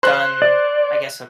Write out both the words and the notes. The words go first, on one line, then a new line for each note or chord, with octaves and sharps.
done, I guess a
C5 F#6
D5